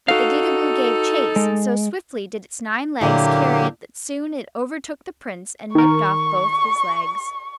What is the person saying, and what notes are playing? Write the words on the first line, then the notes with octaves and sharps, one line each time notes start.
But the Gigaboo gave chase, and so swiftly did its nine legs carry it that soon it overtook the Prince and nipped off both his legs.
D#4 F#4 A4 F5
G#3
A#2 D3 F#3 A#3 E4 G4
D#3 A#4 C#6